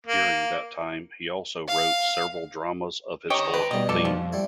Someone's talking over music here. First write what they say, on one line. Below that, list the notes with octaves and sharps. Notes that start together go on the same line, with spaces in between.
During that time he also wrote several dramas of historical theme.
A#3
F5
G4 C#5 D#5 G5 A#5
B4 C5
B2 G3 D#5
F2 A4 D5
F3
G3 E4